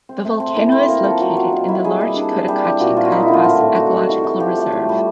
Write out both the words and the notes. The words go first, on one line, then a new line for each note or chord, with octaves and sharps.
The volcano is located in the large Cotacachi Cayapas Ecological Reserve.
C4
A3
C4
E3
C4
A#3 A#4
F3 A4
F#3
F#3
D#3
E4
G3 G#4
G3
D4
D4
G3 G4
E3
A#2 F#4
F3 F4
F#4
D#4 E4
E4
D3
F4
A2 F#4
A2
D#4 F#4
G3
E3
E3
F3 G4
A3
A2
G3